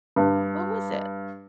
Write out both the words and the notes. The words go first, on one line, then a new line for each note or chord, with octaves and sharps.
What was it?
G2